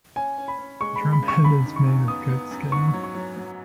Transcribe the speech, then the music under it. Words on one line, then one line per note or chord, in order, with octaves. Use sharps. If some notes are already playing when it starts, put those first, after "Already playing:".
The drumhead is made of goat skin.
C#4 G#5
C#4
B5
C#4
G#3 C#6
B5
G#3
B5
C#2
C#6
F#2 B5
D#3
C#6
F#2
B3 D#6
B3
F#2
G#2 C#6
C#6
F#3
C#6
F#3
F#3